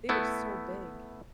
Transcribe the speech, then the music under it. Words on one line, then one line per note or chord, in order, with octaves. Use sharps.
They were so big.
A3 B3 E4